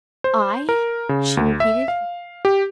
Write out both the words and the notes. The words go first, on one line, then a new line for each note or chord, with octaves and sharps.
"I?" she repeated.
C5
A#4
C#3
D2
E5
F5
G4